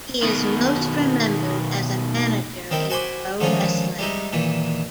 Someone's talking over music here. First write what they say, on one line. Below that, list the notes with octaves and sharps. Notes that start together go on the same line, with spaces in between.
He is most remembered as a manager in pro wrestling.
B2 D#3
D#3 C4 E4 G5
F#4 C5 G#5 B5 C6 D6
D3 D#3 F3 G#3 C#4
G3 G#3 D#4 E4
A#2 D#3 E3